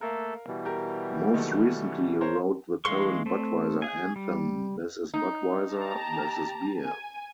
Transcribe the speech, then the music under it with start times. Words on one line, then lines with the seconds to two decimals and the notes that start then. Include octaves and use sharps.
Most recently he wrote the current Budweiser anthem, This Is Budweiser, This Is Beer.
0.01 A3 A#3 A4 A#4 F5
0.47 B2 E3 G3
0.65 G4 A#4
1.34 D#3 F#3 A3
2.21 A#4 C5 C#5
2.85 E3 G#3 F5 C6 C#6
3.26 A3 C4
3.82 G#4 G#5
4.16 G3
5.14 D#4
5.73 G4 A5 A#5
6.79 G#5